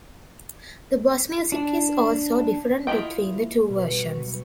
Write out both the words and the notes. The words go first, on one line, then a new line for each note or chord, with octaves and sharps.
The boss music is also different between the two versions.
D4
E4 F4 G#4 D#5 G5
B2
G3
C#6
B1